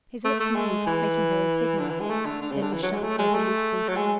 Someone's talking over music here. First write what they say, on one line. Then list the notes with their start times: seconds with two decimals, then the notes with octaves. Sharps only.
His lips moved, making her a signal, then were shut resolutely.
0.25 A3
0.40 A3
0.55 G#3
0.87 E3
1.79 D3
1.90 E3
2.00 G#3
2.10 A3
2.25 D3
2.41 D3
2.52 C#3
2.62 D3
2.73 E3
2.83 F#3
2.93 G#3
3.03 A3
3.18 G#3
3.35 A3
3.88 F#3
3.96 G#3